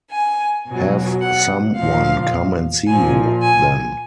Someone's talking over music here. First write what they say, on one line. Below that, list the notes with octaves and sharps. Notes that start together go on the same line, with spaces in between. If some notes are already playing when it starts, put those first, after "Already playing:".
Have some one come and see you, then.
G#5
B2 F#3
F#5
A#2 F3 F5
A#2 F3 G#5
G#5